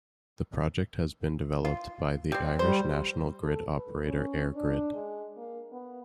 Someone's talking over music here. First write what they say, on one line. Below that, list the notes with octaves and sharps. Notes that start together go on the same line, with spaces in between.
The project has been developed by the Irish national grid operator EirGrid.
F4
G3 C4
G3 C5
A4
B4
C#4
D4
G#3
A#3
B3